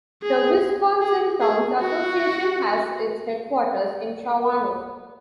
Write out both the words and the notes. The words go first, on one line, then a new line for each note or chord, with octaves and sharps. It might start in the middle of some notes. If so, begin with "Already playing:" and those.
The Wisconsin Towns Association has its headquarters in Shawano.
G#4
G#4
G#4
F#4